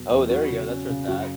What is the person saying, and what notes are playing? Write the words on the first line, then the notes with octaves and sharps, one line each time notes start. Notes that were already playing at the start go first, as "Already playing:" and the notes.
Oh, there you go, that's where it's at.
Already playing: E2 B2 F#3
E2
F#3 F#4
C#3
C#4
C#3
F#2 F#4